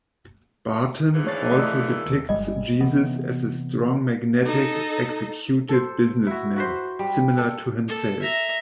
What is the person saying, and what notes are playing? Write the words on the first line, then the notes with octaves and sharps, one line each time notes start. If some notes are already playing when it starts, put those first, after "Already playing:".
Barton also depicts Jesus as a "strong magnetic" executive businessman, similar to himself.
G#2 E3
D4 C#5 F5 A6
D#3 A3 A#3 A4 D5 D#5
D#2
G1 G3 G#3 D#5
C3 E3 B3
D#4 A4
A4 C5
E4 F#4
F#4 B4 C5
G3
A4
A4
E5 A#5